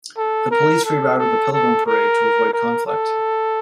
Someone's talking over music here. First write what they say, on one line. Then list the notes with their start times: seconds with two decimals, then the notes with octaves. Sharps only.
The police rerouted the Pilgrim parade to avoid conflict.
0.17 A4
0.51 A#4
0.85 A4
1.18 A4
1.52 A4
1.86 A#4
2.53 A#4
2.86 A4